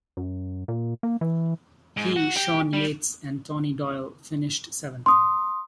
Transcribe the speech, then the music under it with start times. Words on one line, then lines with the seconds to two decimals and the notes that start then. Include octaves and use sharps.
He, Sean Yates and Tony Doyle finished seventh.
0.17 F#2
0.68 A#2
1.03 A#3
1.21 E3
1.97 G#2
2.16 F#4
2.37 G4
2.73 G3
5.06 C6 D#6